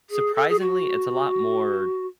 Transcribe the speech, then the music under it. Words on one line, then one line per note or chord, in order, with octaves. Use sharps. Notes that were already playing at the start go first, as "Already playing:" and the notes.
surprisingly, it's a lot more
G#4
A4
G#4
F#4